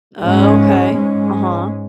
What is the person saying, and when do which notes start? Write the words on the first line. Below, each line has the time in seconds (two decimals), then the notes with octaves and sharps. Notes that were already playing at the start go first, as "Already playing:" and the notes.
Okay, uh-huh.
0.22 G#2 G#3 C#4
0.94 G#2 G#3 C#4